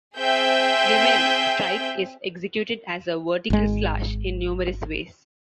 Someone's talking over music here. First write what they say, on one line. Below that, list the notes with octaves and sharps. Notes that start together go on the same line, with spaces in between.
The "men" strike is executed as a "vertical" slash in numerous ways.
C4 G#4 E5 G5 G6
G#1 G#3